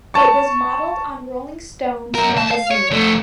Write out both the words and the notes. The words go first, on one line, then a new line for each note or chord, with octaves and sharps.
It was modeled on "Rolling Stones" magazine.
A5 C#6
F#2 A#4
D#2 A5
F5
C#5
F2 A3